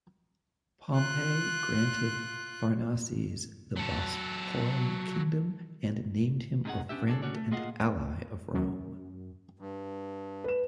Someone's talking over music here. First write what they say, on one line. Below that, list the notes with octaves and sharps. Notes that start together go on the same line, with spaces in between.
Pompey granted Pharnaces the Bosporan Kingdom, and named him friend and ally of Rome.
F4 F#6
F#3 A4
G#2 C3 D#4 G#4 F#5
B3 C#4 D4 G4 E5
A3 D4 G#4 A4
D3 A3 C#4 F#4 C#5 D5
A3
A#3 F4 G#4 D#5 F5 F#5
F#2
G2
B4 E7